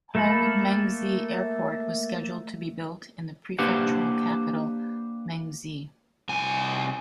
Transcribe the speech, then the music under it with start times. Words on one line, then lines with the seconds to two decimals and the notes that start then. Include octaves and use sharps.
Honghe Mengzi Airport was scheduled to be built in the prefectural capital Mengzi.
0.15 A3 A#3 A4 A#4 B5
3.59 A#3 D4 G4 B4 C5 F#5
6.29 C2 G#5